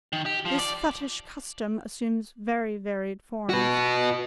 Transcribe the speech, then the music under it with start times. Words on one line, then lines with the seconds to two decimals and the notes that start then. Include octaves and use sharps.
This fetish custom assumes very varied forms.
0.13 D#3
0.26 G4
0.45 F3
0.59 D5
3.50 F#4 B4